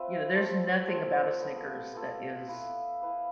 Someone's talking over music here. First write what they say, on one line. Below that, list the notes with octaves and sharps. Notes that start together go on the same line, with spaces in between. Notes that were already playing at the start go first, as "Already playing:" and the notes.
you know, there's nothing about a Snickers that is
Already playing: C4 F4 B4 E5
F3 A3 C4
F3 A3 C4
B3 F4 A4
B3 F4 A4
E4 B4 F5
E4 B4 F5